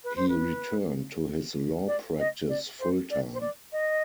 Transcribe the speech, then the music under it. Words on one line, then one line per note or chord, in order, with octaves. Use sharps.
He returned to his law practice full-time.
B4
C5
B4
D5
D#5
D5
C5
D5
C5
D5
D#5